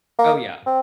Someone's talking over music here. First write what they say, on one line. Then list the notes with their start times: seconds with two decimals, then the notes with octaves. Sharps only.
Oh, yeah.
0.19 A#3
0.66 C4